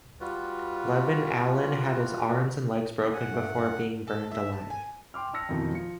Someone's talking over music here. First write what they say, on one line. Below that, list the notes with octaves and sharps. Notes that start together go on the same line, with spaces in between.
Levin Allen had his arms and legs broken before being burned alive.
G3 F4 F#4 B4
F#5 G#5
G2 A3
A4
E5
A5
G#5
G5 C6 D6 F6
G5 A5 E6 F6 A#6 C#7
F2 B2 D#3 E3
F3 C#7